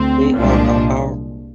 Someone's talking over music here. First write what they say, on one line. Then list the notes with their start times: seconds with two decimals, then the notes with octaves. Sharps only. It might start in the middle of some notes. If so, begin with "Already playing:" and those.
They are apart.
Already playing: D2 C4
0.35 C2 A#2 F3 G#3 D4